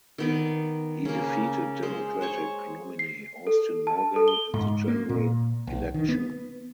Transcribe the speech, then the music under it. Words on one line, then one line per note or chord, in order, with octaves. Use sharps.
He defeated Democratic nominee Austin Morgan in the general election.
D#3 B3 D5
C#3 A#3
G#3 C5
C5 C#5 C#6
C7
A4
A5
A4
G7
G#2
A#3
A#2
B1
D#3
B3